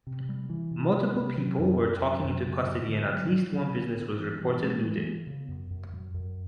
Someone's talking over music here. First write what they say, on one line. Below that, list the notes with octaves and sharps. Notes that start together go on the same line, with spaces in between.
Multiple people were taking into custody and at least one business was reported looted.
C3
G3
E3
C3
G3
C3
F#3
F#2
F#2
F#2
F#2
C#3
B3
D3
F#3
F#3
D3
D3
B3
E3
E3
G#3
E3
B3
C#3
F#2
F#2
F#2
F#2